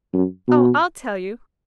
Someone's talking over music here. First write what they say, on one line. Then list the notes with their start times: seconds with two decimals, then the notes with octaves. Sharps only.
Oh, I'll tell you!
0.14 F#2
0.48 B2